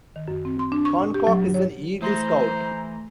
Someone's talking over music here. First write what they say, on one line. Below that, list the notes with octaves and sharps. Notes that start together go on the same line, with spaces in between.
Koncak is an Eagle Scout.
D#3
F#2
C4
C6
D4
C#6
A#2
G4
F#3
F#2
C#5
E3 A3 C5 A#5 C6 A#6